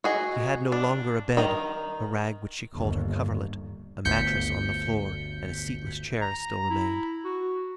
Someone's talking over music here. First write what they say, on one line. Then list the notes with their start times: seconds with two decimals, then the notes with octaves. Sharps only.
She had no longer a bed; a rag which she called her coverlet, a mattress on the floor, and a seatless chair still remained.
0.04 F#4 G#4 D#5
0.72 D4
1.37 D#3 D#5 A#5
2.73 G1 D#2
4.05 G1 D2 G6 B6 C#7
6.21 A#5
6.70 E4
7.24 F#4